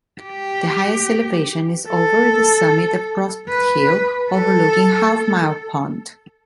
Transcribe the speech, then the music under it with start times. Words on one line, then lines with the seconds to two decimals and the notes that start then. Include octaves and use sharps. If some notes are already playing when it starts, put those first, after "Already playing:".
The highest elevation is over at the summit of Prospect Hill, overlooking Halfmile Pond.
0.22 G4
1.87 A4
3.49 B4
4.32 A4